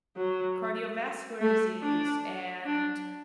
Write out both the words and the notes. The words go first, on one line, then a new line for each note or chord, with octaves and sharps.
cardiovascular disease and
F#3
A3
D4
D4